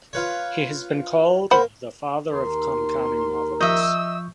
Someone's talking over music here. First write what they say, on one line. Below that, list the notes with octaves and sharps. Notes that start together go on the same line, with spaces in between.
He has been called "the father of Konkani novels".
F4 B4 C#5
A#3 C5 F#5 B5
D#2 A#4 C6
F3 D#5 E5 C#6 E6 G6